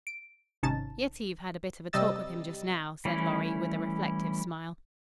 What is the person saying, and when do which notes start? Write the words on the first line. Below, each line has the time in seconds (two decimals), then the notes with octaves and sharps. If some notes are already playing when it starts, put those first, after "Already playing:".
"Yetive had a bit of a talk with him just now," said Lorry, with a reflective smile.
0.07 D7
0.63 G#1 C3 C#4 D#4 A5 A6
1.93 C3 G3 D#5 E6 A6
3.05 E3 G3 A3 C#4 E4